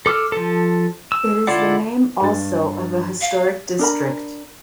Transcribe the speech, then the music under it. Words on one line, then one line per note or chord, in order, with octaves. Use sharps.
It is the name also of a historic district.
A4 D6 E6 F6
F3 A4
E6
D3 E4 F4 D5 F#5
G2 A6
F5
D4 A#4 B5